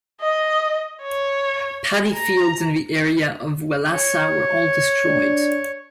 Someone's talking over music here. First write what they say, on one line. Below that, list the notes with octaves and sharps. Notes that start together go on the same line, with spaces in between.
Paddy fields in the area of Wellassa were all destroyed.
D#5
C#5
A#5
C#5
D4